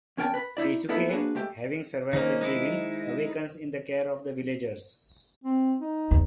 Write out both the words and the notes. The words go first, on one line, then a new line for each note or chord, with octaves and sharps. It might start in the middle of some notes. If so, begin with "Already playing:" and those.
Keisuke, having survived the cave-in, awakens in the care of the villagers.
E2 C#4 A#4 G5 A5
B4 B5
D#4 E4 D5
A#3 B3 D#4 E4 A4 B4
A#3 D4 F#4 G#4 B4
G#3 A3 G4
D#3 A#3 C#4 D#4 C5
G#3 D#4 E4
C4
D#4
E2